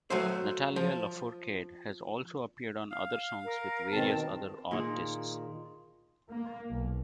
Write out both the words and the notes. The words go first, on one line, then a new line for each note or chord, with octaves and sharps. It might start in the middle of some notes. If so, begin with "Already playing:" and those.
Natalia Lafourcade has also appeared on other songs with various other artists.
F#3 A3 C5
F3
F5
A#4
B2 D#3 C4 A5
A#2 D#3 D#4 G#4
A#3
B1